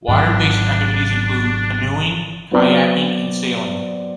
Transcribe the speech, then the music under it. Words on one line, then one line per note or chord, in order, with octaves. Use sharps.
Water based activities include canoeing, kayaking and sailing.
G#1 G#2 F#3 D4
F#3 B3 C4 B4 D5